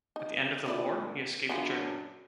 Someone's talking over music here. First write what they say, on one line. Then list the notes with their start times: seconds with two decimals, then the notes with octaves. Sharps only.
At the end of the war, he escaped to Germany.
0.16 D#4
0.66 A#2 D3 B3 E4 D5
1.49 F#2 B3 D4 F4 G#4